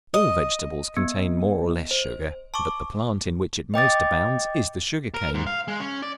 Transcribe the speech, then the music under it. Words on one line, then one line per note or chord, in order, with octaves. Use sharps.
All vegetables contain more or less sugar, but the plant in which it most abounds is the sugar-cane.
D#5
B3
C5
A5 C#6 D6
D#5 G5 D6 A6
A#4
G#2
F5
G#3
C#4
D5